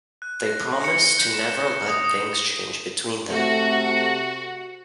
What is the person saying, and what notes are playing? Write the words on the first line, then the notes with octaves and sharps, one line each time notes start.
They promise to never let things change between them.
F#6
A#6
C#7
G7
G6
E7
A#6
D#6
D#6
D#6
C3 A3 F#4